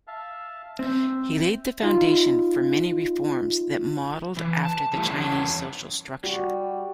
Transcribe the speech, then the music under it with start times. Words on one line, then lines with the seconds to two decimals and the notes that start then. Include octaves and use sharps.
He laid the foundation for many reforms that modelled after the Chinese social structure.
0.07 E5 F5 A5
0.79 C4 C5 E5
1.82 D#4 F4
4.37 E3
4.65 A5
4.93 E3 G3 A3
5.09 E2 C#4 A5
6.24 G3 F#4